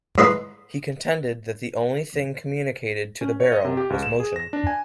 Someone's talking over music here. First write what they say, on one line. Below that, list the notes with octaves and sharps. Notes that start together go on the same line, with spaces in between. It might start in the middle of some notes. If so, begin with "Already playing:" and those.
He contended that the only thing communicated to the barrel was motion.
G#2 E4 G#4 B4 D#5 C6
C#4
C#5
D#5
C3
G4
C#2
E7
G#4
A#6
D4
G#5